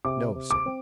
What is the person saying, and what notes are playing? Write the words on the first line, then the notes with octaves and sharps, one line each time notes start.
"No, sir."
C3 D6
C3
D6
C4